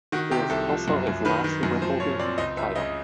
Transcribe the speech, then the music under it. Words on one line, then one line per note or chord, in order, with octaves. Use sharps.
It was also his last Wimbledon title.
D#3 F#4
C3 G4
C2 A4
F3
F#2
F#2
D#3 B4
D#3
F#2
F3 C5
A#2 C#5
C4 D5
C#2 D#5
C#2 E5
C#3 D#5